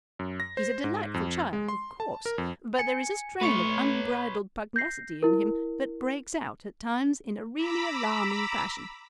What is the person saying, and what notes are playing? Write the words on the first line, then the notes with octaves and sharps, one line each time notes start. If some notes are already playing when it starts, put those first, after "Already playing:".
He's a delightful child, of course, but there is a strain of unbridled pugnacity in him that breaks out at times in a really alarming fashion.
F#2
A#6
C5
G#2
F2
G#3
C6
A5
A#4
F2
G#5 C#7
A3 B4 C#5 C#6 C#7
G6 A#6 C7
E4 A#4
A#5 B5 D6 E6 B6